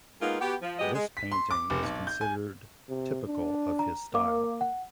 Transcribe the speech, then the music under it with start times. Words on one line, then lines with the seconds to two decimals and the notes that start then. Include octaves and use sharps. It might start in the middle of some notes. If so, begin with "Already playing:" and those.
This painting is considered typical of his style.
0.21 G#3 A#3 B3 D#4 F4
0.41 B3 F#4 G4
0.62 F3
0.79 F#3 G#3 B3 G4 D#5
0.94 G#3
1.17 B6
1.32 C6
1.51 D6
1.70 F1
1.83 B1
2.07 G6
2.21 G#5
2.90 C3
3.27 D4
3.79 A#5
4.14 A#3 A#4 F5 D6
4.61 F#5